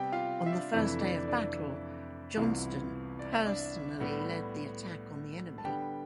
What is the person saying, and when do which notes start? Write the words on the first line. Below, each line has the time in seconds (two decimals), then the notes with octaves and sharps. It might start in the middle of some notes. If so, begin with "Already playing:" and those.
On the first day of battle, Johnston personally led the attack on the enemy.
Already playing: C3 G3 B3 C4 G4 G5
0.12 F4 F5
0.46 E5
0.53 D4 D5
0.73 F2 C3 E3 A3 D4 E4 E5
1.00 D4 D5
1.28 D4 D5
2.37 C2 C3 E3 B3 E4 F4 F5
3.19 D5
3.33 E5
3.46 D4 D5
4.00 A2 G3 B3
5.58 A5
5.64 D3 G3 B3 G4 G5